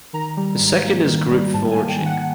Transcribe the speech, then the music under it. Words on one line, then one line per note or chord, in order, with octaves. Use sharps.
The second is group foraging.
D#3 A#5
G3
G#2
A#3
D#3
G3
G#2 A5
G#5
A#3
G5
D#3
F#5